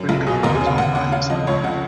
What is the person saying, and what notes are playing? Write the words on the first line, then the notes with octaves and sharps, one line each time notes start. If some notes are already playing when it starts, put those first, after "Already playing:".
Ringo goes off by himself.
Already playing: F#2
B1 F4
B2 G#4
D#2 A#4
G#4
C#3
F5
D#2 F#5
C#3 F#5
C#3 F5
F2 D#5
C#2 C#5
C#3 F#5